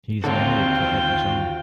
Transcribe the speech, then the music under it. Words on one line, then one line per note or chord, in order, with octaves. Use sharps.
He is married to Elton John.
D#2 D3 C4 F4 F#4 A4 C5 G5